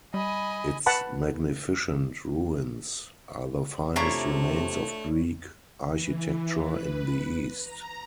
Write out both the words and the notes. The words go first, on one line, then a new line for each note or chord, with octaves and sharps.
Its magnificent ruins are the finest remains of Greek architecture in the East.
G3 D#5 G#5 B5
B4 F#5 A5 B5
C3 A3 D4 E4 F4 C#5 A#5 C#6
E3
B4
A#5